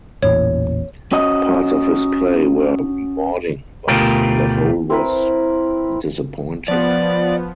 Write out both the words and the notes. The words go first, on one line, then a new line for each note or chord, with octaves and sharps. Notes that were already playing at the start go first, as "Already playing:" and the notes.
Parts of his play were rewarding but the whole was disappointing.
A1 E2 A#2 C#5
C#4 F#4 D#5
D2 B2 A3 F4 G4 A#4
C4 E4 A#4 B4
F3 B3 D5